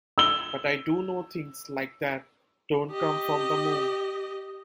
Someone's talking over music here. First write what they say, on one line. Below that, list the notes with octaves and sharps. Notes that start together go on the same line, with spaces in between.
But I do know things like that don't come from the moon.
E6 G7
G4 D#5